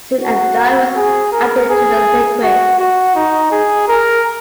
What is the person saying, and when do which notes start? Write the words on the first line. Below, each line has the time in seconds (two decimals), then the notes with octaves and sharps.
Soon a dye was added to the liquid.
0.23 F#4
0.97 G#4
1.32 A#4
1.70 G#4
2.43 F#4
2.79 F#4
3.15 D#4
3.52 G#4
3.88 A#4